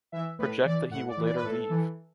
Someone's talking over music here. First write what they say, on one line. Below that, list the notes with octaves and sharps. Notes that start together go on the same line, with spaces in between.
Project that he will later leave.
E3 E5
A2 B4
E3 D5
A2 F#5
D5
E3
D5
B4
A2 A4
E3